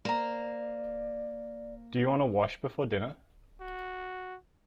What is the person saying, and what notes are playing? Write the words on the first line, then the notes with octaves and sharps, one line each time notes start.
Do you want to wash before dinner?
A#3 C5 D5 A#5
F#4